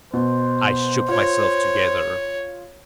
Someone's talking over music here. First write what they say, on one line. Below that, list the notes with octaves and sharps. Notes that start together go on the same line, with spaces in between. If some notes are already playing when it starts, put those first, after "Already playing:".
I shook myself together.
B2 C5
F4 C#5